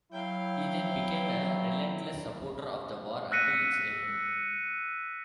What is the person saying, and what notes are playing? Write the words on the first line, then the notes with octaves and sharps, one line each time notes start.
He then became a relentless supporter of the war until its end.
F#3 E4 F5 G5
E6 F#6 A#6 B6 C#7 D#7